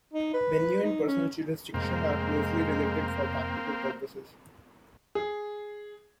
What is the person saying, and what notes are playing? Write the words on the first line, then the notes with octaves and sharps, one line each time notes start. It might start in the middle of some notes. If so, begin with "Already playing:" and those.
Venue and personal jurisdiction are closely related for practical purposes.
D#4
B4
D#4
C#4
F2 A2 C3 G#3 A#3 C4
G#4